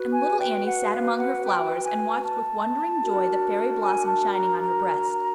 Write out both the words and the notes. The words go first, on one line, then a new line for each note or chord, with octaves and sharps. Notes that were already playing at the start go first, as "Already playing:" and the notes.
And little Annie sat among her flowers, and watched with wondering joy the fairy blossom shining on her breast.
Already playing: F#4 B4
G#5
G5
F#5
F5
F#5
G5
G#5
A5
D4 F#4 A#4
G#5
A5
A#5
A#5